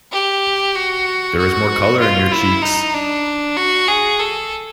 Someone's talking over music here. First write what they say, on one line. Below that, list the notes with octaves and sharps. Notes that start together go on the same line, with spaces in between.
There is more colour in your cheeks.
G4
F#4
F#4
F4
E4
D#4
D4
F#4
G#4
A4